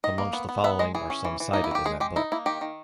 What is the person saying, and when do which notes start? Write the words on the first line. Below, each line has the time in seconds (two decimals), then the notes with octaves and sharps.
Amongst the following are some cited in that book.
0.04 D#3 D#5
0.18 A#3
0.33 B3
0.49 B3
0.64 B3 E5
0.79 G#3 D#5
0.95 E3 G#4
1.10 C#4
1.25 E3
1.40 E3
1.53 A#3 D#4
1.64 E4
1.71 D#3 G4
1.85 G#3 G#4
2.00 G#3 G4
2.16 D#4 E4
2.32 A#3 E4
2.46 D#3 G4
2.61 D#3